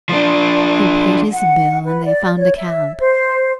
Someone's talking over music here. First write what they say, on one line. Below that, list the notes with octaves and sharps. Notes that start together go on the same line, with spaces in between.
He paid his bill and they found a cab.
F3 D4
F#5
B4
D5
C#5
E5
C5